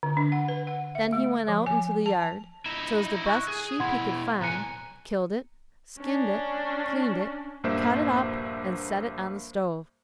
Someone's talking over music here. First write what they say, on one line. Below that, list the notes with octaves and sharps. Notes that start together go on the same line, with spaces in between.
Then he went out into the yard, chose the best sheep he could find, killed it, skinned it, cleaned it, cut it up, and set it on the stove.
D3
D4
F#5
B4
F#5
E5
A3
F3
G#5
A5
D#4 E4 E7
C#6 F#6
G#4
B2 E4 F#5 C6 G#6
B1 G#5 A#5 F#6 C#7
C#4 D4
A#1 G2 A#3 C5 E5